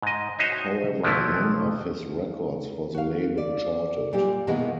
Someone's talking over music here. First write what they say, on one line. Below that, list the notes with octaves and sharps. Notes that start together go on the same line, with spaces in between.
However, none of his records for the label charted.
G#2 D#5
D#4 F#4 C5 C#5 D#5 E5
B1 F3 F#3 A3 E4
F#4 F5
D5
A#2 G3 F4 G4
B2 D#3 E3 G#3 A#3 B3